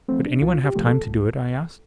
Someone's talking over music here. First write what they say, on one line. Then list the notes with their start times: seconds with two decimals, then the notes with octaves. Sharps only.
"Would anyone have time to do it?" I asked.
0.08 F3 A3 C4
0.25 D4
0.42 C2 F4
0.64 G4
0.76 C3 F3 A3
0.86 A4
1.09 C2